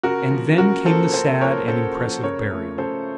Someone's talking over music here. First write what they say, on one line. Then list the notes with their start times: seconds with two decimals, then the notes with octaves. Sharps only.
And then came the sad and impressive burial.
0.03 C#3 F#4 A#4
0.31 F3 A#3
0.58 C#3 F#4 A#4
0.85 F3 A4 C5
0.89 A#3
1.13 C#3 A4 C5
1.41 F3 A#3 A#4 C#5
1.68 C#3 A4 C5
1.95 F3 A#3
2.23 C#3 A#4 C#5
2.51 F3 A3
2.78 C#3 A4 C5